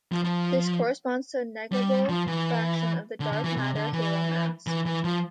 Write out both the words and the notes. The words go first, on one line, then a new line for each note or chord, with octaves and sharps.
This corresponds to a negligible fraction of the dark matter halo mass.
F3
F3
G3
F3
E3
D3
D3
E3
C3
D3
E3
E3
E3
F3